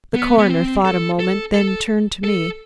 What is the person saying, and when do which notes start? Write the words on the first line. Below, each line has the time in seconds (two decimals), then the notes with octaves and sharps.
The coroner thought a moment, then turned to me.
0.15 B3
0.38 B3
0.50 C4
0.85 A4
1.19 A4
1.54 A4
2.24 A4